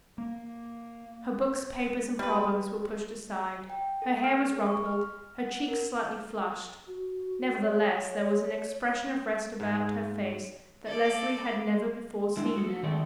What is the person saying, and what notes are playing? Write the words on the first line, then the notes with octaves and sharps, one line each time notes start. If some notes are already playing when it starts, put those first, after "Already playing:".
Her books, papers, and problems were pushed aside; her hair was rumpled, her cheeks slightly flushed; nevertheless, there was an expression of rest about her face that Leslie had never before seen there.
A#3
G3 B4
G5
A4
F6
G#4
C#6
F6
F#5
A#4
F#4
C#5
G#2
A4 D5
G#3 A3 D4 E4
F#4 A4
D#3 G#3 A3 A4 D5